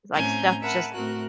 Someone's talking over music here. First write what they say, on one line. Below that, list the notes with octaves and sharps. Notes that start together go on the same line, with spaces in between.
like, stuff just
A2 C4 C#4 G#5 A#5 G6
A#4 E5 F#5 G#5 A5 B5
A2 A3 C4 F#4 A#4 F#6